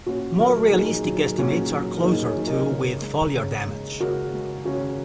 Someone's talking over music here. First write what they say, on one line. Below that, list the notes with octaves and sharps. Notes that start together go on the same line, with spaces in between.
More realistic estimates are closer to with foliar damage.
A#2 C#4 F#4
F#3 F#4 A#4
A#2 D#4 G#4
F#3
A#2 C#4 F#4
F#3
A#4
A#2 D#4 G#4
G#4 C#5
F#3
A#4 D#5
C#3
G#3
C#3
G#3
C#3 F#4 A#4
G#3
C#3 C#4 F#4